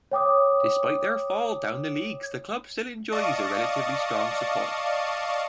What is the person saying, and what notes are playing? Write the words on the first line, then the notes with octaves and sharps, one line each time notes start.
Despite their fall down the leagues the club still enjoys a relatively strong support.
C#5 G5 D6 D#6
D5 D#5 F5 A5 C#6 D#6